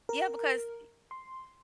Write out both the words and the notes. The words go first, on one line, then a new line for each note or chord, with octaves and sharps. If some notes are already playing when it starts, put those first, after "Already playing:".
Yeah, because y
A#4
C6